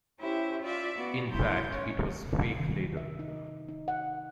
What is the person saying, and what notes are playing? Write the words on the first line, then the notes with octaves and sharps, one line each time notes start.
In fact it was fake leather.
C#4 E4 G4 C5 E5
F4 D5 E5
B3 F#4 D5
G2 E4 C6 G6
C#4 C#5
C3
D#3
E5
D#4
D#4
F#5